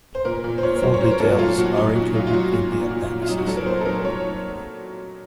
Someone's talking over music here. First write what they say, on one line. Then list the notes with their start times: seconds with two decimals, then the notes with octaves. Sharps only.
Full details are included in the appendices.
0.15 C5
0.25 A#2 A#4
0.44 A#2
0.58 C5
0.63 A#2 C#5
0.76 A#4
0.82 F#3 C5
0.94 C#5
1.01 F#3 C5
1.11 A#4
1.20 A#2 A4
1.29 F#4
1.38 F#3 F4
1.58 A#2 F#4
1.76 F#3 D#4
1.95 A#2 F#4
2.15 F#3 F4
2.27 F4
2.33 F#3 F#4
2.52 A#2
2.72 A#2
2.91 A#2
3.10 A#2
3.22 F4
3.28 F#3 D#4
3.38 F#4
3.47 F#3 A4
3.57 A#4
3.66 A#2 C5
3.81 A4
3.85 F#3 A#4
4.05 F#3 C#5